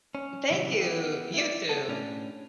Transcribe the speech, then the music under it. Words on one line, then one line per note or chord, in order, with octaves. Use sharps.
Thank you. You too.
C#4
A#2 C#3 E3 F#3 G3 B3
E3 B3 G4
E4 D5
B3 A4
A2 C#4 D4